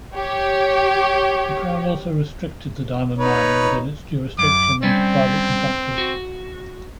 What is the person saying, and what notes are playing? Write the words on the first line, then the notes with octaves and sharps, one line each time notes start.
The crown also restricted the diamond mining within its jurisdiction and to private contractors.
G4 C#5
D#4 B4 C#5
F#2 D6
G3 C4 C#4 D5
F#4